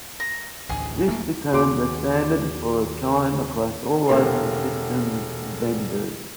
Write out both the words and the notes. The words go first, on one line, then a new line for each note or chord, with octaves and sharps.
This became the standard for a time across all open systems vendors.
A#5
A1 D2 G#4
D1 A3 A#3
D#2 F#4 G#4 C6 D6
E1 D3 A#3 G4 C6